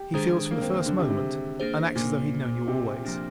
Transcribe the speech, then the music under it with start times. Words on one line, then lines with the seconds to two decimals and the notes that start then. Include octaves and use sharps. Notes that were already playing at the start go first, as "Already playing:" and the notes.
He feels from the first moment, and acts, as though he had known you always.
Already playing: G4
0.14 D#3 G#3 D4 G#4 C5
0.51 A#3
0.62 C4
0.74 A#3
0.86 D3
0.99 C3
1.10 C3
1.60 A#3 D4 G#4 C5
1.96 A#2
2.67 C3
3.05 F3 A#3 D4